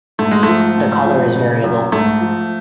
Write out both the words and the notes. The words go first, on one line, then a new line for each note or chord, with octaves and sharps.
The colour is variable.
G#2 A3
G#3
F3 A3
G#2
F3
C#3
F#2
G#2 A3
F3